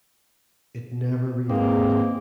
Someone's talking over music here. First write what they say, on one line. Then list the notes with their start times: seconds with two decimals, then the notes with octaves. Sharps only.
It never reopened.
1.49 G#2 D#3 E3 A#3 C4 G#4